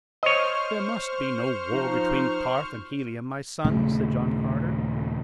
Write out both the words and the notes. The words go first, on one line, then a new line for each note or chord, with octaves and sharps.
"There must be no war between Ptarth and Helium, my son," said John Carter.
C5 C#5 D#5 C#6 F6
F3 D#4
D#1 C#3 A3 C#4